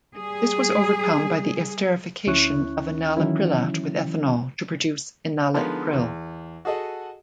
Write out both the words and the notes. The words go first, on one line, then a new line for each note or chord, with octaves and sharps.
This was overcome by the esterification of enalaprilat with ethanol to produce enalapril.
G3 G#4
D2 C#4 E4 C#6 F#6
D#3 E3 F#3 C#4 E4
D3 F3 G#3 B3 D#4 A#4
E2
F#4 G#4 A4 D#5 F#5